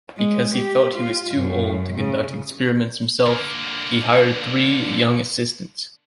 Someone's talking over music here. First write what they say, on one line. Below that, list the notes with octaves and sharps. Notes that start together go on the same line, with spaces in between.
Because he felt he was to old to conduct experiments himself, he hired three young assistants.
G#3
G4
F4
F#2
C#3
D3 A#3